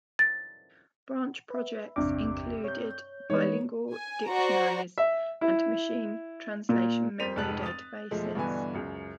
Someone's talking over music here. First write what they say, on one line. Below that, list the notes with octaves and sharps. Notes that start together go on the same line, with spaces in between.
Branch projects included bilingual dictionaries and machine translation memory databases.
A6
B4 E5
G#1 E2 G2 C3 D6
C#5 G6
E3 G#3 B3 D#4 C#5
G#5
F#4 C5 D5 A#5
E5
E4
A#2
F2 A#4 C5 B6 D#7 F7
F1 F2 G#2 A5 F#6 F#7
D#6 A6
E1 F3 G#3 A3
G2 B2 D3 E3 B4 G#5
C#2 F#2